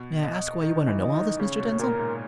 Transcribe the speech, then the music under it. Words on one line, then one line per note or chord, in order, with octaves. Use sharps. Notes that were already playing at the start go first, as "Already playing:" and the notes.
"May I ask why you want to know all this, Mr. Denzil?"
Already playing: B2
D#5
D#3 D#5
E3
D#5
D#3
C#3 C#5
B2
A#2 A#4
G#2